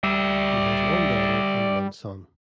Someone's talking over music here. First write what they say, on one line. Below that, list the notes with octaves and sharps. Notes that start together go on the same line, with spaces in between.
He has one daughter and one son.
G3 D5 E5